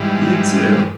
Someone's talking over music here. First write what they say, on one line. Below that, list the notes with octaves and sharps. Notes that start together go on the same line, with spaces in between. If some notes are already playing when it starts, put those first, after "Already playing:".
You, too.
Already playing: G#2 E3 G3